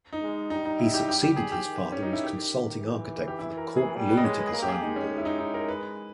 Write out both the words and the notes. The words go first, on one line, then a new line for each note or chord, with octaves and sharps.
He succeeded his father as consulting architect for the Cork Lunatic Asylum board.
D#4
G#3
G3 D#4
D#4
E4
G4
G4
G4
G#4
G4
D#3
C#4
D#4
E4
G4
E3
G4
E4
A#4
G#4
G3
B4
D#5
G#3 C#5
B4
G#4
A#3 A#4
G4
G#4
G#3 D#4
C#4
E4
D#4
D#4
A#4
B4